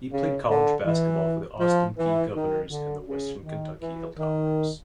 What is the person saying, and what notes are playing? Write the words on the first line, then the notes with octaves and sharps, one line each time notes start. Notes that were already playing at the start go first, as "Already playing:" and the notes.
He played college basketball for the Austin Peay Governors and the Western Kentucky Hilltoppers.
C#3
D3
E3
F3
E3
D#3
D3
C#3
D#3
E3
D#3